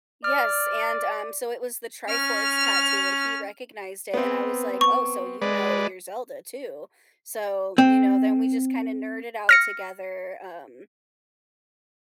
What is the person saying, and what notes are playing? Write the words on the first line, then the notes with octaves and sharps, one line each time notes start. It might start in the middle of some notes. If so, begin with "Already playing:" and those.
Yes, and, um, so it was the Triforce tattoo and he recognized it, and I was like, "Oh, so you know your Zelda, too?" So, you know, then we just kind of nerded out together, um
D5 F6
C#4 F6
B3 C4
C#6
G#3 B4 D5
C4
F6 A#6 C#7